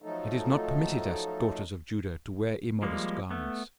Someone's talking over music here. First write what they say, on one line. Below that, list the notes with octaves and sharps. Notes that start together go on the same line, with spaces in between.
"It is not permitted us daughters of Judah to wear immodest garments."
F3 F#3 A3 D#4 A4
F3 G3 G#3 A#3
A3 B3